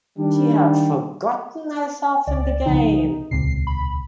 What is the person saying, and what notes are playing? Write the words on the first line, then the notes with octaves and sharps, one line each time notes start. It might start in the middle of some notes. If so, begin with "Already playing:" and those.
She had forgotten herself in the game.
D#3 G3 D4
C#2 D5
C2 C#3 F3 D#4
D#1 C#2 C3 C7
B5